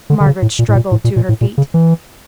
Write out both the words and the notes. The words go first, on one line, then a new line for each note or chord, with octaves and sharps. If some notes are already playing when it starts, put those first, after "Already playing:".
Margaret struggled to her feet.
D3
D3
C#3
A2
A#2
A2
A#2
A2
A#2
A#2
A2
A#2
C#3
E3